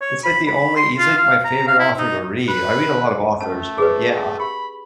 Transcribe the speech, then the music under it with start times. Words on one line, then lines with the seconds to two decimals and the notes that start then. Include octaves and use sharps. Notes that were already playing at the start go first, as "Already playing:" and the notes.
It's, like, the only he's, like, my favorite author to read. I read a lot of authors, but, yeah, I
0.01 C#5
0.25 B5
0.47 B5
0.76 C6
0.99 F4
1.17 F5
1.45 A#5
1.67 F5
1.79 E4
1.99 D#4
2.48 B4
3.41 A3 C#4 A5
3.78 G#4 B4
4.40 G4 B5